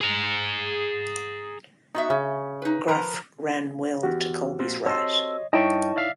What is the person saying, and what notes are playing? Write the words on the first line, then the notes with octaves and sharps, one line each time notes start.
Graf ran well to Kolbe's right.
G#4 A#5
B3 D#4 F#4 E5
C#3 C#4
D#4 B4
F3 A#4 B4 A#5
E2 F#4 G4
F2 A#2 F3
C4 A4 C#5 D#5 C6
G2 D#4 E4 C#5 D#5 G5 A5 C#6
D5 E5 F5